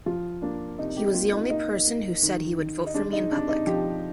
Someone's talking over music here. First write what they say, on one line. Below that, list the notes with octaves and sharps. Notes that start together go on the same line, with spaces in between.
He was the only person who said he would vote for me in public.
F3 F4
A#3 D4
C3 D#4
G4
A#3 F4
D#4
A#3 D#4
A#3
D#3
D#3
D#4
G#3 D4
D#4
C3 D4
D#4
F3 G4